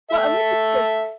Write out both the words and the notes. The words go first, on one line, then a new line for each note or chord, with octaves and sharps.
Well, I like it because,
A4 E5